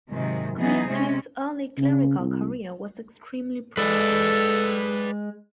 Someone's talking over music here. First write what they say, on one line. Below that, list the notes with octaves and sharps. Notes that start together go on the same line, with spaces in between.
Comiskey's early clerical career was extremely promising.
G#2 C3 D#3 F#3 G#3
E3 F#3 B3 D#4 G#4
C3 G#3 C4 C#4
C#3
C2
G#3 A4 B4 D5